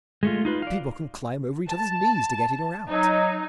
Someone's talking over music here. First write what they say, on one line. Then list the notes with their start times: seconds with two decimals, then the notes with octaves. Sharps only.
People can climb over each other's knees to get in or out.
0.23 G#3 A3 F4
0.45 D#4 F4 B4
0.62 D5 F5
1.69 A5
2.89 F#3 D#4